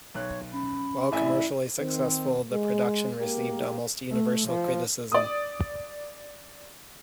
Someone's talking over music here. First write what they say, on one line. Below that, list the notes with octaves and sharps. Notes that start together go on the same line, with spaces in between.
While commercially successful, the production received almost universal criticism.
B1 C#5 F#6
C#4 B5
A1 E4 D5 E5 G#5
D#3 C4
G#3
G#3 A#3 G4 A#4
A3
F3
D5 D#6